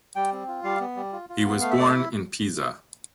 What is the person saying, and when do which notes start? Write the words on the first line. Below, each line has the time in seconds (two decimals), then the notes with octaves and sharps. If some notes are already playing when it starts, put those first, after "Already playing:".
He was born in Pisa.
0.16 G3 G5
0.33 C4
0.48 F4
0.64 G3 F5
0.80 B3
0.96 G3
1.13 F4
1.30 F4
1.45 B3
1.61 A3 F5
1.71 E5
1.77 A3 D5
1.89 E5
1.93 E4